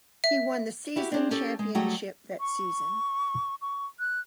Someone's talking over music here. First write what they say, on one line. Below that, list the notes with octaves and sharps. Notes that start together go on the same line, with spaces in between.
He won the season championship that season.
E5
E4 F#4 G4
C4 D4 G#4
C#4 G4 A4
G#3
F#3 G3 A3 F#4 G#4 G5
C#6
C#6
F#6